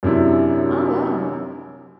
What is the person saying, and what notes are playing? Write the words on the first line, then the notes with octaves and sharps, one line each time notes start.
Oh, wow.
F#2 C3 D4 E4